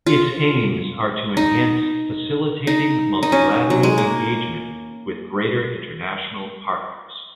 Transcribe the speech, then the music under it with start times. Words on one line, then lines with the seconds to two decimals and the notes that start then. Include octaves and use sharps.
Its aims are to enhance facilitating multilateral engagement with greater international partners.
0.06 F4
1.37 D#4
2.67 D#4
3.23 D#4
3.32 C#4
3.70 F#3
3.83 G#3
3.98 A#3